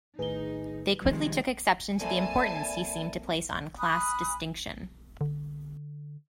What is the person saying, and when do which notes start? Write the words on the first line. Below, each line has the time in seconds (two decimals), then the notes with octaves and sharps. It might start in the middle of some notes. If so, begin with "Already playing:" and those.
They quickly took exception to the importance he seemed to place on class distinction.
0.19 A2 D#3 D#4 G#4 B4 G7
1.01 C3 D#3 F3 G3 G#3
2.00 A#3 C4 A4 D5 E5 G#5 A5 B5
3.79 G#5 B5 D#6 F#6
5.21 D3